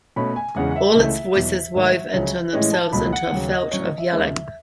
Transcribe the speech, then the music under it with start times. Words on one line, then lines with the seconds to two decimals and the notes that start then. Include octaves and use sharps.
All its voices wove into themselves into a felt of yelling.
0.16 B2 A3 C#4 B5
0.36 G#5
0.56 E2 C#3 G#3 C#4 F#5
0.71 F#5
0.76 E5
0.95 C#2 C#3 E3 A3
1.35 E2 B2 F#3
1.74 G#2 D#3 A3 D#4 E5
2.14 C#2 C#3 F#3 C#4
2.53 A2 E3 G#3 C#4 D#5
2.73 A5
2.92 C#2 B2 F#3 A3 B5
3.12 F#5
3.32 D#2 C#3 F#3
3.52 D#5
3.72 A2 F#3 C#4 C#5
3.85 D#5
3.98 E5
4.11 D#2 D#3 G#3 C#4